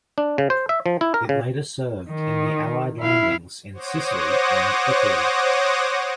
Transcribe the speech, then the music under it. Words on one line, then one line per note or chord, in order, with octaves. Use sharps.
It later served in the Allied landings in Sicily and Italy.
D4
C#3
C5
E5
F3
E4
A#4
C#3
D#3
E4 F5
C5 C#5 F#5 D6 D#6 A#6